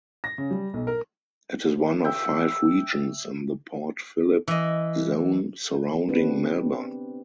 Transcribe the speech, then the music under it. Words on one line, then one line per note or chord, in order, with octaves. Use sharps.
It is one of five regions in the Port Philip zone surrounding Melbourne.
A#6
C#3
G3
B1
A#4
E5 G5
E3 D#5
B3 C4 D4 G4 B4